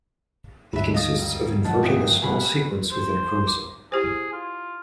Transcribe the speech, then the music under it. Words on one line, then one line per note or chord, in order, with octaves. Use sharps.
It consists of inverting a small sequence within a chromosome.
D2 G2 C#3 F#3 G#3 B4 E5
D4 D#4 D#5 F5 D#6 A6
E1
G1 G2 F3 G#3 D#5 F#5 A5
F#1 A#3 C4 G#4 D#6
B2 G3 A#3 G#4 B4
C5
D6
E4 G4 G#4 C5
F4